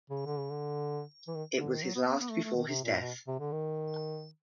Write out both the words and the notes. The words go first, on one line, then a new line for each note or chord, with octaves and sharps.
It was his last before his death.
C#3
D3
C#3
D3
E3
D#3
D3
D#3
F#3
B3
B3
B3
A3
A3
D#3
C3
A#2
B2
C3
D3
D#3